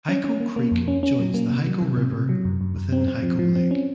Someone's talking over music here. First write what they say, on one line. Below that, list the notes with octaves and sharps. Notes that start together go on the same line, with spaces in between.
Hyco Creek joins the Hyco River within Hyco Lake.
C#4
C#4
A#3
A#3
F2
C#4
C#4
F#3
A#3
C3
F#3
C3
C3
C3
F#3
F#2
F#2
F#2
C4
C4
F3
F3
C4
C#4